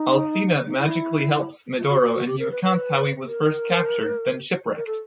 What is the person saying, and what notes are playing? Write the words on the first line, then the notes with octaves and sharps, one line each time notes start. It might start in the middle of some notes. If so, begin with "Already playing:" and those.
Alcina magically helps Medoro and he recounts how he was first captured, then shipwrecked.
Already playing: D#4
D#4
E4
F4
F#4
F#4
F#4
G4
A#4
B4
B4
A#4
A#4
A4